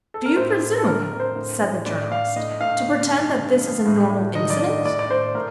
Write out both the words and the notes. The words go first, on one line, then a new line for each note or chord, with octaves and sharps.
"Do you presume," said the Journalist, "to pretend that this is a normal incident?"
A4
A#4
A2 C5
A2
A4
D3 A#4
A#4
F2
C5
A2
A2
A2 D5
A2 F5
A2 D#5
A2 F5
D3
G2
D3
F2
A2
A2
D#3 D#5
D5
G2 D#5
A2 D5
D5
A2 C5
A2 A#4